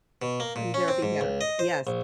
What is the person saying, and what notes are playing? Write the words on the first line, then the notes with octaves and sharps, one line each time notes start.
on their behalf Yes.
B2
A#3
A#2
C#4
C4
G#2
C#2
D#5
C5
A#1